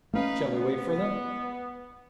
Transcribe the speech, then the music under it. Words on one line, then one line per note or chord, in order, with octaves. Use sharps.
"Shall we wait for them?"
A3 C4 C#4 D#4 B4 F5
B3